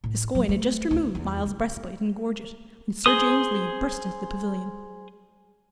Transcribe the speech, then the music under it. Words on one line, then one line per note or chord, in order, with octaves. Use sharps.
Gascoyne had just removed Myles's breastplate and gorget, when Sir James Lee burst into the pavilion.
A2
F#3
A3
D2
E2
D3
G#4 C5 D#6